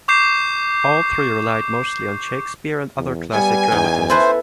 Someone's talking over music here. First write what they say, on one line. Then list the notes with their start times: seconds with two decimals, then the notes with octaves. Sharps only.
All three relied mostly on Shakespeare and other classic dramatists.
0.08 C#6 D6 G6 C7 E7
2.97 E2
3.34 G3 B3 G#5
3.72 E2 D#4
4.10 E4 A4 B4 C5